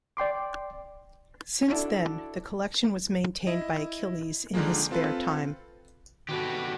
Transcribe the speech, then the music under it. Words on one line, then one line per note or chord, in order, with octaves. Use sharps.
Since then the Collection was maintained by Achilles in his spare time.
D5 G5 C6 D6
D4 E4 F#4 A4 D5
E4 D#5
D3 D#3 F3 G#3 A#3
C4 F4 A4 B4
D#3 B3 F#4 G4 A4 B4